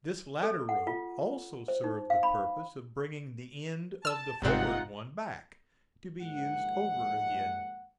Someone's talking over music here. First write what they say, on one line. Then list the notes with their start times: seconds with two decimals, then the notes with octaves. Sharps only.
This latter rope also served the purpose of bringing the end of the forward one back, to be used over again.
0.43 A4
0.69 F#5
0.87 F4
1.68 C5
1.84 D#4
2.10 F5
2.23 B5
4.05 A5 E6 F6
4.42 G1 G#2 C3 D#4 F4 F#5
6.22 D#2 G#2 D#3 F3 F#5